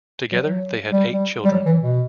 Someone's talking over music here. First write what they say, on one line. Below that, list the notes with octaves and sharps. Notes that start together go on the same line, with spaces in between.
Together they had eight children.
F#3
F#3
G3
G3
G3
F#3
E3
B2